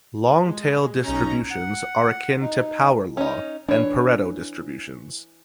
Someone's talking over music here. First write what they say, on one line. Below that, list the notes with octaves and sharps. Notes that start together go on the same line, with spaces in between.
Long tail distributions are akin to power law and Pareto distributions.
G#3
B1 C#4 D#4 A#5
F#5
D#4
C#4 D#4
E3 D4 C#5